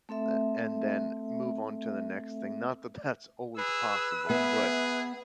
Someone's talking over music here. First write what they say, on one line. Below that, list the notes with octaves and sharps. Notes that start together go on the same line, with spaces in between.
a and then move on to the next thing, not that that's always possible, but
A3 C4 A4 E5
G#4 B4 E6
B3 G#4 E5